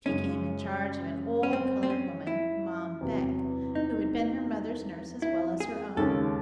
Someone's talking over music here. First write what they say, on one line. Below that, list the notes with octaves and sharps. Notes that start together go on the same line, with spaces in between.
She came in charge of an old coloured woman, Mom Beck, who had been her mother's nurse as well as her own.
F#2 C#3 G#3 C#4
C#4
C4
C4
C#4
E4
E2 C3 F#3
D#4
E4
G#4
D#2 C#3 G#3 C#4 A4